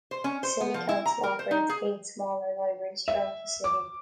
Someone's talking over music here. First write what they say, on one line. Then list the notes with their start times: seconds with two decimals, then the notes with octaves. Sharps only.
The city council operates eight smaller libraries throughout the city.
0.11 C5
0.24 C#4
0.43 C5
0.61 B3
0.74 F3
0.89 E4
1.06 A#5
1.23 A#4
1.39 C5
1.51 D#4
1.69 G#4
3.08 E5
3.64 D6